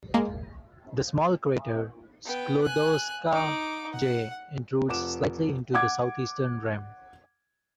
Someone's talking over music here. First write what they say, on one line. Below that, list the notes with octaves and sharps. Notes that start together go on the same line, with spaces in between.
The small crater Sklodowska J intrudes slightly into the southeastern rim.
G#3 A#3
B3 G5
G#5 F#6
D#4 D6
F#5
F1 F3 F#5 D6 E7
F#5 D6 G#6